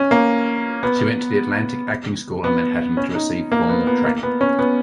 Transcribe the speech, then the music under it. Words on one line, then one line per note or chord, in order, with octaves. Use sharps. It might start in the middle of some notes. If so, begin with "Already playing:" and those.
She went to the Atlantic Acting School in Manhattan to receive formal training.
Already playing: C#4
A#3
B3
B3
C#4
D#4
A#3
B3
B3
A#3
B3
C#4
B3